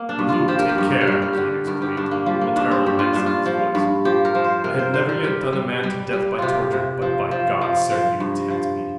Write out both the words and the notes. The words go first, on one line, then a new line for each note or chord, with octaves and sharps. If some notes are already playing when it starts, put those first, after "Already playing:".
"Le Loup, take care!" Kane exclaimed, a terrible menace in his voice, "I have never yet done a man to death by torture, but by God, sir, you tempt me!"
Already playing: A#3
D4
G2
F4
F3 G4
A#4
G4
G2 A#4
G4
A#4
G2 G4
A#4
D3 G4
G2 A#4
G4
G2 D4
A#3
F3 G3
A#3
G2 D4
C4
G2 G4
F4
G2 D4
F4
F3
G2
F3 G4
A#4
F3
C5
C3 A#4
C5
C3 C5
A#4
G3 G4
G3
G3
G3
C3 F4 G4
C3
F3
F3
F3
F3
G2
F3